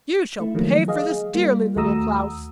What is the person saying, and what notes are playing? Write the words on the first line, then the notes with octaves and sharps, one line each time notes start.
'You shall pay for this dearly, Little Klaus!'
A3 E4
D#3 F3 F#3 A3 A#3
G#4 D#5 F5
G3 A#3 F4
D#2 A3 F#4 A#5 D#6 E6